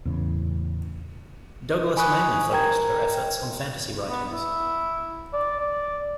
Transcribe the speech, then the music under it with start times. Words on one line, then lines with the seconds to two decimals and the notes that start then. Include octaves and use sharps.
Douglass mainly focused her efforts on fantasy writings.
0.05 E2 A2 C#3
1.97 G#5 B5 C#6 D#6 F#6
2.52 A#4 G5 A#5 G#6
4.09 B3
4.32 E4
5.33 D5
5.60 D5